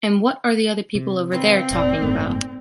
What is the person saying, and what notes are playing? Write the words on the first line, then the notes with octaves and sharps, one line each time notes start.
And what are the people over there talking about?
C3
D#3 F3 C4 B4
F1 A#2 D#4 D5
F#1 G#2 A3